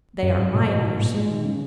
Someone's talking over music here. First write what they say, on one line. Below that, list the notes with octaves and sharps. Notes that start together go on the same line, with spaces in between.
They are miners.
F#2
G#2
B2
B2
G#2
A#2
G#3
D#3
C#3